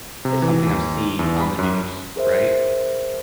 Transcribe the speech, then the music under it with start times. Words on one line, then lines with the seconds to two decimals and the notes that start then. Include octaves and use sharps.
it's something I'm seeing on the news, right?
0.25 C3
0.42 E3
0.67 D#2
1.19 E2
1.41 B5
1.59 F#2
2.16 G#4 A#4 C5 E5